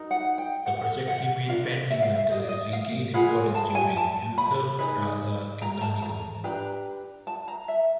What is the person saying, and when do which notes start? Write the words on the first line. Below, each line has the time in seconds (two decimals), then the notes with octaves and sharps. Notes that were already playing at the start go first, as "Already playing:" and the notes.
The project remained pending until it regained importance during Yousaf Raza Gillani govt.
Already playing: D#4 F#4 A#4
0.11 F#5
0.38 G5
0.66 F#5
1.08 F#5
1.48 D4 F4 A#4 F5
1.90 E5
2.02 F5
2.16 E5
2.32 D#5
2.40 D5
2.49 D#5
2.73 F5
3.14 F4 G#4 B4 F#5
3.55 A5
3.75 G#5
3.97 A5
4.38 B5
4.79 D#4 G#4 B4
5.62 A#5
5.82 A5
6.02 A#5
6.44 D4 G4 B4 A#5
7.27 A5
7.48 A#5
7.68 E5